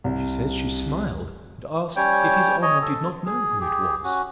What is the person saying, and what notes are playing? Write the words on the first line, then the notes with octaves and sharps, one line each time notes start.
She says, she smiled, and asked, If his honour did not know who it was?
C2
G3 C#4 C#5 G5
C#5 D#5
A4
G#4
G4 G#4
C#4 F#4